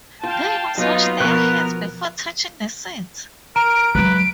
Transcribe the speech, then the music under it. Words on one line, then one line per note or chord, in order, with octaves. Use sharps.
They must wash their hands before touching the seeds.
F4 F5 G5 A5
F#3 B3 D#4 F4
B2 F3 B3 A#4 B4 C#6
A#4 A#5 D7
F#3 G#3 B4